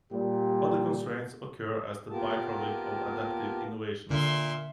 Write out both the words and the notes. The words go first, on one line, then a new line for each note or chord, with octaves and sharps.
Other constraints occur as the byproduct of adaptive innovations.
A#2 G3 G4
A#3 B3 F4 G4 A#4 A5
A#2 D3 E5 C6